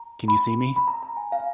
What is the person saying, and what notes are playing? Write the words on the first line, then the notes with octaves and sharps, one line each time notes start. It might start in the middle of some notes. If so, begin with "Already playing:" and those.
Can you see me?
Already playing: A#5
B5
B5
A#5
A#5
G#5
F5